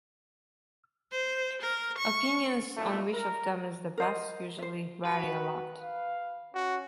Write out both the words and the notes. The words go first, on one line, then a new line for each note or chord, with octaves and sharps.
Opinions on which of them is the best usually vary a lot.
C5
A#4
C#6
B1 A#2 A3
A#4
A#4 C5 D#5
C5 E5
F#4 B4
F5
C#4 F#4